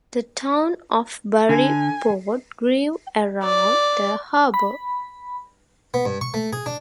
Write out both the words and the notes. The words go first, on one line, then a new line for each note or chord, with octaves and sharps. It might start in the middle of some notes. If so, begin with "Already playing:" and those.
The town of Burry Port grew around the harbour.
D3 G#5
D5
B5
B3
G2
C#6
A3
G#4
D4